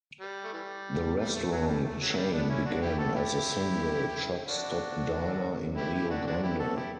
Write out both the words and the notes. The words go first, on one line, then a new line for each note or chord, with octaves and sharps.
The restaurant chain began as a single truck stop diner in Rio Grande.
G3
A3
E3 G3
G3
A3
F#3
G3
A3
F#3
G3
B3 D4
C#4 E4
D4 F#4
E4 G4
F#4 A4
E4 G4
D4 F#4
E4 G4
E4 G4
D4 F#4
D4 F#4
F#4
E4 G4
F#4 A4
E4 G4